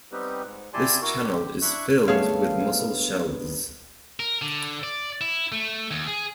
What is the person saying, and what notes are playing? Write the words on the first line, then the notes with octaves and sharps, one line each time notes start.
This channel is filled with mussel shells.
G3 B3 C4 D#4 G4 B4
G#2
E4 G4 D5 G#5 A5 C6
E4 F#4 A#4
D3 G4
D4 E4 E5 C#6 F#6
G2 A3 B3 E4 G#4 C#5 F5
A#4
D3
D5
E4
A3
D#2
G#4